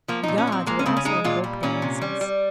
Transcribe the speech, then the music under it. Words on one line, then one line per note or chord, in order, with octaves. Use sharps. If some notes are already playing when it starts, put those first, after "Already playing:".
The gods were also invoked by incense.
F3 A#3
A#2 D#4
C#4
F3 C4
G#3 A#3
C#4
C#3 C4
C#4
G#3 D#4
A#2 F4
G3
A#2 C#4
C3
G3
G3